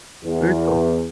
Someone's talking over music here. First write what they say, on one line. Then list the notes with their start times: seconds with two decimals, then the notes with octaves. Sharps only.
Very cool.
0.24 E2